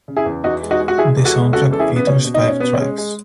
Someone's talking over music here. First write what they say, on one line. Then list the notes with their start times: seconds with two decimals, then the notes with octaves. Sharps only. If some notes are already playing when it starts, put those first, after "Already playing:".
The soundtrack features five tracks.
0.08 C#3
0.16 E4 G#4
0.26 E2
0.44 E2 D#4 F#4
0.63 G#3
0.71 D#4 F#4
0.80 G#3
0.88 F#4
0.98 G#3 E4 G#4
1.17 E2
1.25 F#4 A4
1.35 G#3
1.53 C#3 F#4 A4
1.71 E2 A4
1.79 E4 G#4
1.89 C#3
1.96 B3
2.07 B2 C#4
2.25 B2
2.34 D#4
2.44 B2 C#4
2.60 B2 B3
2.74 C#4
2.80 G#3
2.98 G#3